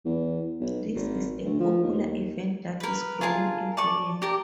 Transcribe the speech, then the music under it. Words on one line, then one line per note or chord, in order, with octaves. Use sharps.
This is a popular event that is growing every year.
E2
B1
G#1
D2
F3
D#2
A#4 B4
F4 G#4 A#4 A5
D5 A5 C#6
G4 A#4 D5